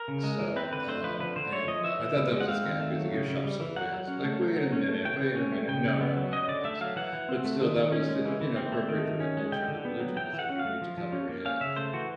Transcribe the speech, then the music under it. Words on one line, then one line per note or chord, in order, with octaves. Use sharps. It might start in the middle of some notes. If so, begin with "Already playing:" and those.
So, um, and, uh, I thought that was a scam because the gift shop sold veils, like, "Wait a minute, wait a minute, no, no, no, I don't think so," but still, that was, eh uh, you know, appropriate for the culture and the religion is that you need to cover your head.
Already playing: A#4
C#3
G#3
E3
C4 B4
D3 B4
A3 C5
F3 B4
D3 B4
D3 C5
A3 C#5
F3 D#5
E3 E5
E3
B3
G#3
F#5
C4 F5
D#3
A3
F#3
C#3
C#3
G3
E3
F#3 F#5
F#3
C#4
A3
F#3
F#3
C#4
A3
E3 G5
E3
C#4
A3
C#3 G5
C#3
B3
F#3
C#4 D#5
D3 D5
A3 E5
F#3 F5
E3 F#5
E3
C4
A3
D#3
D#3
C#4
G#3
E3
E3
C4
A3
D#3
D#3
C#4
G#3
D3 G5
D3
B3
F#3
E3 G5
E3
F#5
C#4
F5
A3
F3
F3
C#4
A#3
C#4 F5
C#3 E5
A3 C5
E3 F#4